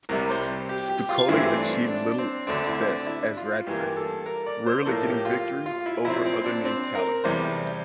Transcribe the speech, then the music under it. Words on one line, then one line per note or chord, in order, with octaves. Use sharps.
Spicolli achieved little success as Radford, rarely getting victories over other name talent.
C2 C3 G3 A#4
C5
G4
G4
F4
G2 E3 A3 C4 E4
D4
D4
C4
D2 D3 A3 C4 D4
E4
D4
E4
F4
G2 E3 A#3 G4
A4
A#4
D5
C5
A2 F3 A#3 A4
G4
F4
F4
E4
A#2 F3 C4 E4
C4
D4
C4
A#4
E2 C3 G3 C5